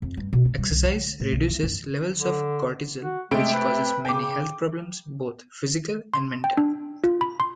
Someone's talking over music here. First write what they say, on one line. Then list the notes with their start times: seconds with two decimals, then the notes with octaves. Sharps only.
Exercise reduces levels of cortisol, which causes many health problems, both physical and mental.
0.02 F2
0.17 G2
0.33 B2
0.45 D4
0.58 G3
0.70 C2
0.84 D3
1.20 A2
1.33 B1
1.48 F4
1.63 F#2
2.18 D3
3.01 F#4
3.31 C3 G#3 A3 D7
3.53 B4
4.05 C#3 G5 D6
6.14 C6
6.44 G5
6.57 D4
7.04 F4
7.21 B5
7.40 C6